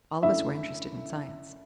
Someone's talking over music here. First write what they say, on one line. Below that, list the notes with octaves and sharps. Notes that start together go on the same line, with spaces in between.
All of us were interested in science.
F#2 D3 A3 D4 E4 E5